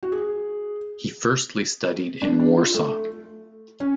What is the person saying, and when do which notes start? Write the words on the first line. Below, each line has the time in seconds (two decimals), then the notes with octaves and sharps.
He firstly studied in Warsaw.
0.03 F#4
0.12 G#4
2.22 D4
2.40 D4
2.58 F4
2.74 A3
3.80 C#4